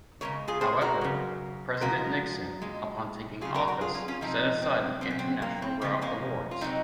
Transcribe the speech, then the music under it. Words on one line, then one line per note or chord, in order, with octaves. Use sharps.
However, President Nixon, upon taking office set aside the international route awards.
C#3 F3 G#3 A#4 C#5
F4 G#4
G#4 C5
F#4 A#4
C#3 F#3
C5
C#3 F3 G#3 F#4 A#4
A#2 G#3
C#3 F#3 F4 G#4
A#4 C#5
F#4 A#4
F4 G#4
C#4 F4
C#4 F4
C3 F3 G#3 C4 D#4
C4
A#2 F#3 C4
C#4
C4
A#3
C4
C#3 F3 G#3 C4
A#3 C#4
F4
C3 F#3 C4 D#4